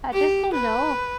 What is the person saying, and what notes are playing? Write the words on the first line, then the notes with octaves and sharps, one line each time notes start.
I just don't know.
G4
B4